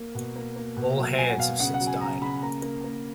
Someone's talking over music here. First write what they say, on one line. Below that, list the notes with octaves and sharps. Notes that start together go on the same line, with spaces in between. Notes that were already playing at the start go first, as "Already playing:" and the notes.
All Hands have since died.
Already playing: A#3
B2
A#3
A#3
B2
F#3
F#3 G#5
F#5
B2 F5
C#3 F#5
F#5
F#3
G#5
C#3 A#5
C#3 B5
A#3 A#5
A#3
A#3